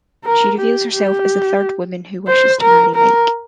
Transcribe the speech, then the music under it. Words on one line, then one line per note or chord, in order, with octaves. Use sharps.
She reveals herself as the third woman who wishes to marry Mike.
A#4
G4
G4
C5
A#4
A#4